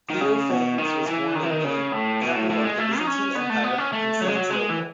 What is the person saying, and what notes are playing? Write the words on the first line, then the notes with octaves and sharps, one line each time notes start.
Theophanes was born in the capital of the Byzantine Empire, Constantinople.
D#3
C#3
B2
D#3
E3
D#3
E3
D#3
C#3
A2
B2
A2
A2
G#3
A3
D#4
C#4
B3
A3
B3
C#4
A3
F#3
G#3
F#3
G#3
E3